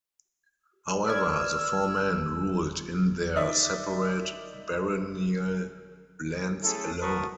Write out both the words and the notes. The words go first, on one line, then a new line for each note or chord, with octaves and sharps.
However, the four men ruled in their separate baronial lands alone.
B4 D5 E6 F6 G#6
D#4 D5 E5
A3 C#4 E4 G#4 A4
F#4 A#4 B4 A5 C#6 D#6